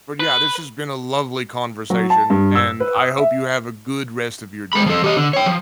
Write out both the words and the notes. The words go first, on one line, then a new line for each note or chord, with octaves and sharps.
But, yeah, this has been a lovely conversation, and I hope you have a good rest of your day.
B4
F#3
A5
G2
E6
B4
D#6
E5
G#3 B5
F3 A4
G4 D#5
D3
C#5 G5
F3